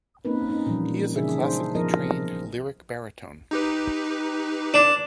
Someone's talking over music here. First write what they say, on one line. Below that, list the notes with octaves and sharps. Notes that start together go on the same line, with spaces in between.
He is a classically trained lyric baritone.
A#3 C4 C#4 D#4 A#4 B4
C#4 D#4
A#2 E3 F3 G3
C#3 E3 D4 D#4 G#4 E5
D4 D#4 G#4 C5
F3 B3 A#4 D#5
D#4 G4 B4
D4